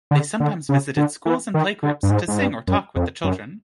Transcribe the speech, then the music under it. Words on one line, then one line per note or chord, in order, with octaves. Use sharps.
They sometimes visited schools and playgroups, to sing or talk with the children.
D3
D3
C#3
D3
E3
D#3
D3
G2
G#2
G#2
G2
F#2
F2
F#2